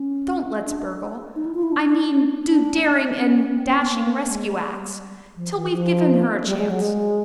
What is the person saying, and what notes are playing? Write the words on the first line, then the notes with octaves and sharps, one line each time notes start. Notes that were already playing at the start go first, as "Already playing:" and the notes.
'Don't let's burgle--I mean do daring and dashing rescue acts--till we've given her a chance.
Already playing: C#4
D4
D#4
E4
F4
E4
D4
D4
C#4
C4
C#4
B3
A#3
G#3
G3
F3
E3
F3
G3
G#3
F#3
G#3